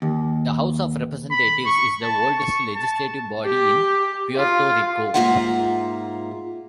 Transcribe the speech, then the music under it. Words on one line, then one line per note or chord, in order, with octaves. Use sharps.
The House of Representatives is the oldest legislative body in Puerto Rico.
D#2
B5
C#6
A5
C#6
A5
G4
F4
G#2 F3 A#3 F4 E5 F#5